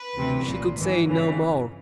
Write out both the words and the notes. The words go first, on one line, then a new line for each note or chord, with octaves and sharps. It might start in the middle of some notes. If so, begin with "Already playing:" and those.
She could say no more.
Already playing: B4
D2 C3 E3
C2 A#2
G#1 G#2 E3
G1 F2 C#3 E3